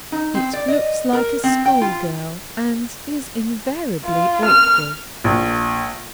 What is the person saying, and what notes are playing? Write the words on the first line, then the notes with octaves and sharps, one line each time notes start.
It looks like a school-girl, and is invariably awkward.
D#4
C4
D5
D#5
A#4
C4
G5
F4
F4
F6
A#1